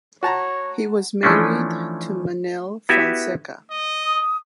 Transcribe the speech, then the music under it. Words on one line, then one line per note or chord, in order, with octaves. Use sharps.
He was married to Manel Fonseka.
F#4 C#5 A5 A#5
E3 F3 A3 C#4 D4
B3 E4 F#4 G4 B4 E5
D#5
D#6